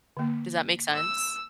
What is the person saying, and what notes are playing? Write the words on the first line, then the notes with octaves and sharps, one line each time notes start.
Does that make sense?
D3 A#3
E6